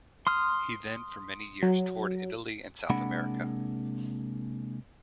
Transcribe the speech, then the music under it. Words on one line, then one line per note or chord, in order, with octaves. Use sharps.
He then for many years toured Italy and South America.
C6 D#6 F6
F#3
C3 G#3 A#3 D4 F#5 B5